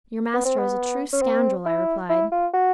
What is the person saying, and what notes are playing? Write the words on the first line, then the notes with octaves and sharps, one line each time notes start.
'Your master is a true scoundrel!' I replied.
B3
C4
B3
C#4
C4
E4
E4
F4
F#4